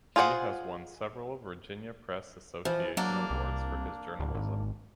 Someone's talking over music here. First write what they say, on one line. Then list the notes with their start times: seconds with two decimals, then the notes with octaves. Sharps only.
He has won several Virginia Press Association awards for his journalism.
0.16 F4 G#4 C5 D5 F#5
2.65 E3 F3
2.97 F#3 A#3 D4
3.30 C2
4.19 D1
4.34 G#1